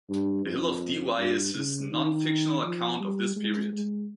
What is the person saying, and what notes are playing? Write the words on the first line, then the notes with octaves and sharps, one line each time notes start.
"The Hill of Devi" is his non-fictional account of this period.
G2
F2
G2
C#3
D#3
F3
G3
G#3
G#3